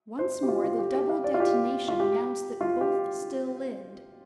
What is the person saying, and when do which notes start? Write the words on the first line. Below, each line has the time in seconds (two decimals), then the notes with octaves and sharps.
Once more the double detonation announced that both still lived.
0.19 C5
0.43 G4
0.48 F4
0.64 F4
0.79 G4
0.95 G4
1.09 F5
1.24 D5
1.34 F4
1.40 G4
1.88 F4
2.00 G4
2.61 F4
2.81 G4